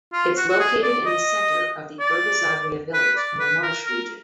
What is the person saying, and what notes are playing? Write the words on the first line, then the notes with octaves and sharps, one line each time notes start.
It’s located in the center of the Urbisaglia village, in the Marche region.
F4
F#4
F#4
G#4
D5
D#5
D5
B4
D5
B4
A#4
A#4